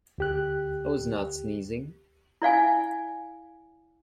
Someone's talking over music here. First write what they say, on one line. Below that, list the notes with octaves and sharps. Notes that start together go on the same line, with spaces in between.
I was not sneezing.
D2 G4 F#6
E4 D5 F5 G#5